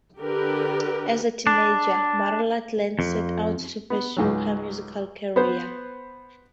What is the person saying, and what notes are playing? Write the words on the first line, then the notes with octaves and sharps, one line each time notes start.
As a teenager, Marla Glen set out to pursue her musical career.
D3 G4 A#4 B4
D4
F2
B3
C#2 G#2 F#3
B3 B4 C5